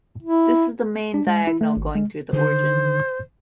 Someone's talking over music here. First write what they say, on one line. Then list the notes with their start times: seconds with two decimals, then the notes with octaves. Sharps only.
This is the "main diagonal" going through the origin.
0.23 E4
1.14 D4
1.27 G#3
1.47 E4
1.61 A3
1.77 G#1
1.95 G#3
2.33 D3 D#3 C5